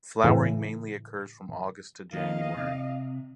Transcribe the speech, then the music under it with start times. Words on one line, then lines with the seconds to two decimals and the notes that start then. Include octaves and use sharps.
Flowering mainly occurs from August to January.
0.24 A2 C#3 E3
2.13 D#3 F3 A#3 D#5 F5
2.57 C3